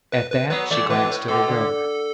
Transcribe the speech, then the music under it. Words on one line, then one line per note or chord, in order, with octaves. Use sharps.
At that, she glanced at her brother.
B4
B4
F#3 B3 B4
E3 A3 D5
B2 E3 B4
A2
B2 A4
D3